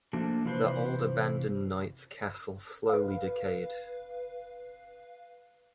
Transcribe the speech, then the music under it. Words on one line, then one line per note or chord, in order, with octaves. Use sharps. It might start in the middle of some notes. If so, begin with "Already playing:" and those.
The old abandoned knights' castle slowly decayed.
F3 A3 A#3 D4 F#4
C3 E3 F4 B4 C5
B4 F5